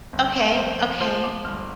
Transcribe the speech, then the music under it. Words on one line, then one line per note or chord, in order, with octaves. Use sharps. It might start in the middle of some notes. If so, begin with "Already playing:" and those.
Okay, okay.
G1
A#4
F2 C5
F3 C5
D6
G1 F6